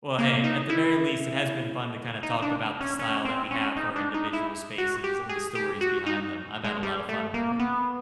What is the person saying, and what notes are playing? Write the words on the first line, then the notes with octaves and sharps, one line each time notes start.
well, hey, at the very least, it has been fun to kinda talk about the style that we have for individual spaces and the stories behind them. I've had a lot of fun with it.
A#3
D#4
E4
D#4
D4
C#4
C#4
C4
C#4
D#4
D4
D#4
E4
F#4
G4
G#4
G4
F#4
D#4
G#3
G3
A3
A#3
B3